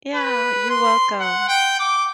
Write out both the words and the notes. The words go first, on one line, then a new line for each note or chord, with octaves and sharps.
Yeah, you're welcome.
B4
C6
F#5
G5
D6